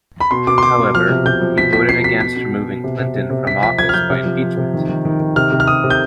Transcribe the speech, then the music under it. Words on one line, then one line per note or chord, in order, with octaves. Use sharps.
However, he voted against removing Clinton from office by impeachment.
B5
B2 C6
B2 D6
C6
B2 D6
B2
F3 F6
C3
C3 G6
F3
B2 B6
B2 B6
B2 C7
B2 B6
B2 B6
B2
B2
B2
C3
C3
C3
C3
C3 B6
F3 B6
F3 G#6
F6
F3 G6
C3
F3
F3
C3
D#3
D#3
D#3
D#3
C3 F6
C3
F6
C3 D#6
C3
G6